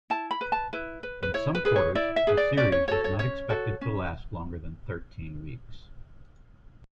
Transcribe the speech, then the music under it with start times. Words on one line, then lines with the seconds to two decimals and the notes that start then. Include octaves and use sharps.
In some quarters, the series was not expected to last longer than thirteen weeks.
0.10 E4 A5
0.31 B5
0.41 B4
0.52 A5
0.73 E4 B4
1.03 B4
1.23 B4
1.34 E4 C#5
1.55 B4
1.65 G#4 B4
1.76 C#5
1.95 E4 D5
2.16 E5
2.27 G#4 B4
2.37 D5
2.57 C#4 D5
2.72 C#5
2.88 F#4 A4 C#5
3.04 C#5
3.19 C#4 C#5
3.49 F#4 A4
3.81 C#4